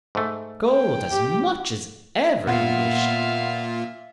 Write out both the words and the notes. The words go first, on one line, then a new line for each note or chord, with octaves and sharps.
Gold as much as ever he wished.
G#2 A3
G5
G4
A#2 B3 F4 E5 F5